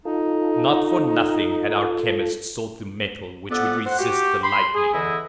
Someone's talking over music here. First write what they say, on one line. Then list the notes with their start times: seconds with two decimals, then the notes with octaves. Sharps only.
Not for nothing had our chemists sought the metal which would resist the lightning.
0.05 D#4 F4 A4
3.51 F2 B3 A4 D5 F#5
3.86 C5 F#5
3.99 F#4 G4
4.44 B5 C6
4.75 G#4
4.94 E2 D3 E3 E4 D#5